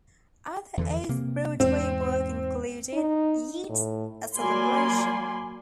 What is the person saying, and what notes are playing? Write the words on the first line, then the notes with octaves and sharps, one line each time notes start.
Other Off-Broadway work included "Yeats: A Celebration".
E2 D3 E3
C3 A#3
E2 G#2 C4
D#4
A2
F#3 A#3 D5 G#5 B5 C6